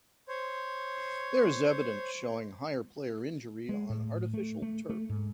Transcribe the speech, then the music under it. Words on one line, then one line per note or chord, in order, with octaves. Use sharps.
There is evidence showing higher player injury on artificial turf.
C5 C#5
G#3
A2
A3
A3
A3
G#2